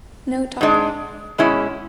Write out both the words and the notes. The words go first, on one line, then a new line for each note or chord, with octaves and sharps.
No talk.
G#2 G#3 D4
B2 G#3 C#4 E4